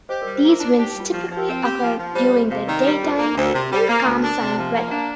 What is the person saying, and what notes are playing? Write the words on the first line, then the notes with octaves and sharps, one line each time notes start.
These winds typically occur during the daytime in calm sunny weather.
G4 C5 D#5
G3 A#4 D5
C5
A#3 A#4
D4 F4
D#4
G4
D#4
G3
F4
F3 G4
F3
A#4
C4
G4
F3
F3
G3 C5
F2
C3 F5
D#5
D#3 A#4 D5
G3
F2
A#3
D2 C5
A#4 D5
C3
G3 C5
A#3
D2
D4 A#4
C3
F3
A#3
D4